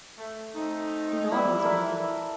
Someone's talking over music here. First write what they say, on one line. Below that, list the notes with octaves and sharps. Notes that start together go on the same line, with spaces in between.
In all his movie,
A3
A3 C4 D#4
E3 G3 E4
A4 A#4 E5